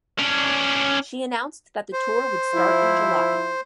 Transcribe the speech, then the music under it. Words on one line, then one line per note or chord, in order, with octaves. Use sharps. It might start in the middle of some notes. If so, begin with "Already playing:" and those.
She announced that the tour would start in July.
C#4 D4
C5
F3 E4